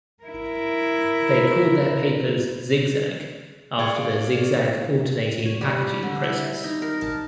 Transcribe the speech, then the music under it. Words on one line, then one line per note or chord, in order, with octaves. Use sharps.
They called their papers Zig-Zag after the zigzag alternating packaging process.
E4 A#4
G#4 D5 F5 C#6 G#6
C#5
G3
D3
E4
D#4
A#4
A5